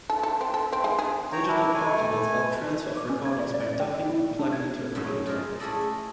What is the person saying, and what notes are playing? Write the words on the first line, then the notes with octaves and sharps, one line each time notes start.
Digital portables allow transfer of recordings by docking or plugging into a computer.
A4
A4
C4
A4
C4
G#3
G#4
C#5 G5 A#5
D4 E4
A3 G#5
D6
C#4
G#6
D5
D5
D5
G5
D#5
E4
D4
G#6
F#2 A2 C#3 C#4 G#4 E5
F4 G#4 A#4 D5
A3 E4 G#4 A4 D5 D#5